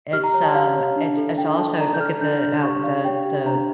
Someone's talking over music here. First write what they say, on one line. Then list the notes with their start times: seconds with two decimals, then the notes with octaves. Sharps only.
it's, um it's it's also look at the, uh, the the,
0.13 G4 F6
0.24 A#5
0.34 C#5 A#5
0.44 A5
0.55 G4 F5
0.76 C#5
0.96 D4
1.17 A4
1.38 D4 G5
1.59 A4 A5
1.79 D5 A#5
1.94 G6
2.00 A4 F6
2.21 D4 G6
2.42 D4 G6
2.63 G4 C#6
2.84 D5 F5
3.04 G4 G5
3.25 G4
3.46 D4 A#5